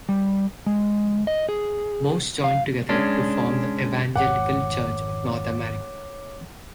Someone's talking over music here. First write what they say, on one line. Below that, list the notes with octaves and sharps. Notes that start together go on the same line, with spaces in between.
Most joined together to form the Evangelical Church of North America.
G3
G#3
D#5
G#4
F5
G#3 C#4 D4
G#1 F2 G#2 C#5 F#5 D6